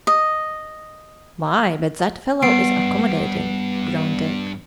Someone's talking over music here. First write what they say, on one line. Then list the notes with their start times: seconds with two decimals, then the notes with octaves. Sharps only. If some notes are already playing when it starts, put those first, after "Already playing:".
"My, but that fellow is accommodating!" groaned Dick.
0.07 D#5
2.43 D2 G2 B3 C7 D7